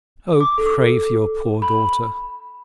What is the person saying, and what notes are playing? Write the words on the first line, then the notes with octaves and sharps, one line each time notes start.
O pray for your poor daughter.
D6
A4
B5